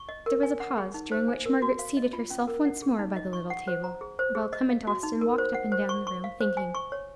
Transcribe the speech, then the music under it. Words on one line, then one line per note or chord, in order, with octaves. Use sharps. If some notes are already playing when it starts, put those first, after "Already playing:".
There was a pause, during which Margaret seated herself once more by the little table, while Clement Austin walked up and down the room thinking.
Already playing: C#6
D#5
A#4
G#5
F#5
G#4
D#4
C5
G#5
A#4
F#4
F5
D#5
F4
C#4
A#4
F#5
G#4
D#4
D#5
C#6
F#5
C5
A#5
G#4
C5
G#4
D#5
F5
F#4
D#4
A#4
C5
F#5
C5
C#6
C#6
F5
C5
G#5
C#6
C#5